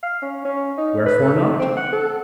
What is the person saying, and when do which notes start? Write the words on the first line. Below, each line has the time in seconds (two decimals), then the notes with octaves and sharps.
Wherefore not?
0.03 F5
0.22 C#4
0.45 C#4
0.78 D#4
1.06 B4
1.22 A4
1.41 D#4
1.59 C4
1.77 F#5
1.92 A4